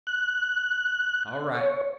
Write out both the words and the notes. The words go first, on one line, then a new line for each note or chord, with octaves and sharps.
All right.
F#6
C#5